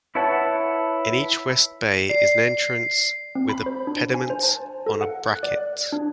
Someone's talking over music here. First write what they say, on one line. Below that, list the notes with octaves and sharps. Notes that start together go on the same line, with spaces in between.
In each west bay is an entrance with a pediment on a bracket.
E4 B4 C#5 F#5 A5
D5 C7
C4
B5
C5
D4
G#5
C5
A5
A4
F#5
F#6
D5
D4